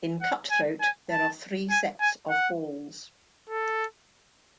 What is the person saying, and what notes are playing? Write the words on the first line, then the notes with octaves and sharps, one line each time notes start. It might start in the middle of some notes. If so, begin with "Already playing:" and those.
In cutthroat, there are three sets of balls.
F#5
G#5
G#5
A5
G#5
G#5
F#5
A4